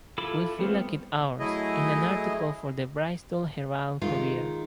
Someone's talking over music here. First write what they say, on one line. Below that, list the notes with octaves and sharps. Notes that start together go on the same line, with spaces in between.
We feel like it ours, in an article for the Bristol Herald Courier.
E4 F4 A4 B5 D6
G3 A3 B3 C4 F4
F#3 A3 E4 G#4 D#5
D#3 G#3 F4